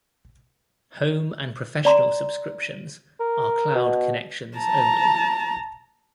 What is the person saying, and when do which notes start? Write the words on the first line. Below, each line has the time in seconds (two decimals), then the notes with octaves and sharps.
Home and Professional subscriptions are cloud connections only.
1.85 D5 A#5 C6
3.20 A#4
3.75 B2
4.57 A5 A#5